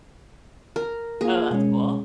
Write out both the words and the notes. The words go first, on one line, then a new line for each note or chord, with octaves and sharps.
Oh, that's cool.
A#4
A#3 F4 G#4
B2 G#3 C#4